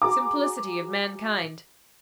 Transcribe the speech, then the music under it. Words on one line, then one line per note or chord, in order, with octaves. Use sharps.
Simplicity of mankind!
F#4 G#4 A#5 D6